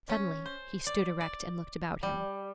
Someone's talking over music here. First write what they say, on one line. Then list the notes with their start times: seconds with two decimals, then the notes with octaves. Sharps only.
Suddenly he stood erect and looked about him.
0.09 C#4
0.45 C5
0.87 D5
1.21 D5
2.03 G3